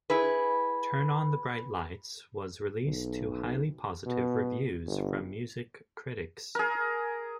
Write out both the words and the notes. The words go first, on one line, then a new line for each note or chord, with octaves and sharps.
"Turn on the Bright Lights" was released to highly positive reviews from music critics.
E4 G#4 B4
B1
B2
G1
G#4 A#4